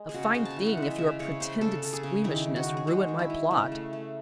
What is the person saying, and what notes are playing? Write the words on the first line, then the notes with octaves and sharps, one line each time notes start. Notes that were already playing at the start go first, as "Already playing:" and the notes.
A fine thing if your pretended squeamishness ruin my plot!
Already playing: G#3
G#4
C#3 F#4
C#3 C5
A5
G#5
E3
F#5
G#3
E5
C#3 E5
C#3 C#5
C#3 C5
C#3 A4
C#3 A4
G#4
C#3
D#3 E4
D#3
F#4
D#3
G#4
G#3 F#4
D#3
E4
G#3
C#3
A3
A3